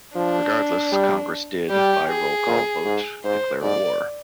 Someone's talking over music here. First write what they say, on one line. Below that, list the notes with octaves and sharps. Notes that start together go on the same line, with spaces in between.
Regardless, Congress did, by roll-call vote, declare war.
F3 D4
G3
G3 G4
G#4
A#2
G#2
G#2 C5
G#2 D5